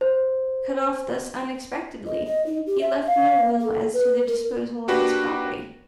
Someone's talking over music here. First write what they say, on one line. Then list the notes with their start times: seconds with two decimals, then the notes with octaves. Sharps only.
Cut off thus unexpectedly, he left no will as to the disposal of his property.
0.01 C5
2.06 D#5
2.26 D#5
2.46 D#4
2.67 G4
2.81 E5
3.07 F5
3.60 A4
3.94 B4
4.28 A#4
4.88 A#3 D4 F#4 G4 B4